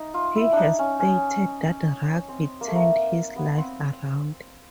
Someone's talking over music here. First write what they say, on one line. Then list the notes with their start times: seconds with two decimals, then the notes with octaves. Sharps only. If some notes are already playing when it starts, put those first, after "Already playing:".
He has stated that rugby turned his life around.
Already playing: D#4
0.14 F4
0.35 E4
0.52 D4 D#4
0.79 C#4
1.00 C#4
2.28 C4
2.61 A#3
2.68 A3
2.75 A#3
3.36 B3
3.58 C4